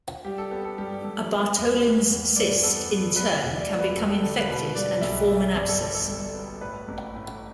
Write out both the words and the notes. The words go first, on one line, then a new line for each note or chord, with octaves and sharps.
A Bartholin's cyst in turn can become infected and form an abscess.
G3 G4
A4
B3 G4
A4
G2 G4
G2 A4
B3
E2
B3
E2
G2 D5
B3 A4
B3
B3 B4
E1 E5
D5
A3
B4
E1 A4
G4
A4
D3 A4
B4
B2 B4
G3 D5
B1 E5
G3 E5
G1 D5
A4
E3 A4
A4
G2 A4
B3
A2 B4
A1
A2